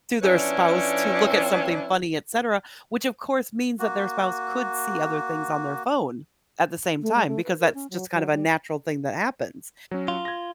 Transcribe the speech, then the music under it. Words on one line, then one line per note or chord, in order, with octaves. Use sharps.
to their spouse to look at something funny, etcetera, which, of course, means that their spouse could see other things on their phone at the same time because that's just kind of a natural thing that happens.
F3 C#4 D4 E4 B4 C#5
A#3 F#4
A3
G#3
A3
B4
A#4
C#4
F#3
F#3
G3
F#3 C#4
F4
G#6 A#6